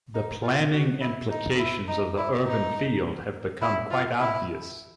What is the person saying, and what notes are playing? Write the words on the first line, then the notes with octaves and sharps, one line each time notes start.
The planning implications of the urban field have become quite obvious.
D#4
F4
F#4
E4
D#4
E4
D#4
E4
D#4
E4
F4
E4